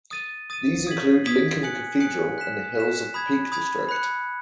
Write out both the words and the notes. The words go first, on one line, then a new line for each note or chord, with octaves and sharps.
These include Lincoln Cathedral and the hills of the Peak District.
D#6 A6 D#7
D#6 A6 D#7
D#6 G#6 B6 F#7
D#6 G#6 B6 F#7
G#5 D#6 F#6 C#7 F#7
G#5 D#6 F#6 C#7 F#7
F#6 B6 E7
F#6 B6 E7
B5 D#6 G#6
B5 D#6 G#6
B5 F#6 C#7